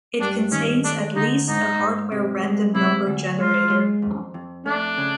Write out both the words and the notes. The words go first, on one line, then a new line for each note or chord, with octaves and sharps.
It contains at least a hardware random number generator.
G2 D4
D#3 C#4
A3 D4
D3 D#4
G#2 D#4
G#2
C3
G#3
C3 E4
D2
G#3 F4
G#3
F2
F2
A3 D4
C#3